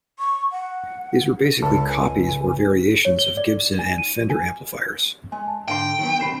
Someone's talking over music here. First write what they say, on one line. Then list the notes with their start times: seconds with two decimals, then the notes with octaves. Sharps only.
These were basically copies or variations of Gibson and Fender amplifiers.
0.19 C#6
0.52 F#5
1.62 C#2 A4 A5
1.88 G#5
3.05 C#5
3.19 G7
3.37 D5
3.79 G#5
3.98 D#7
4.30 G#5
5.32 G#3 G#5
5.47 A5
5.68 G#2 D3 G5 C6
5.99 D#3 F#3 B3
6.20 B1 C3 D#3 B5 C7 E7